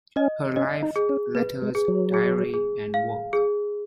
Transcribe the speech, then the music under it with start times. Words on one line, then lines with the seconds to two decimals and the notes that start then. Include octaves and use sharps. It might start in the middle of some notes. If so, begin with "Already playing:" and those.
Her Life, Letters, Diary, and Work.
0.16 C#4 D#5
0.56 C#4 D#5
0.83 D#4
0.96 G#4
1.09 C#4
1.35 A#3 B4
1.62 G#3
1.75 G#4
1.88 F#3
2.14 G#4
2.54 G#4
2.94 F5
3.33 G#4